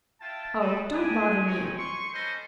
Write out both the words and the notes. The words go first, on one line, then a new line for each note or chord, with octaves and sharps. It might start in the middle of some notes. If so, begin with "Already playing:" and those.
'Oh, don't bother me.
E4 F4 G5 A5
C4 A4 B4 D#5 E5 D#6
D4 G4 G#5
C4 C#4 D#4 C#5 G#5
C6 C#6
C#4 A4 B4 C5 D#5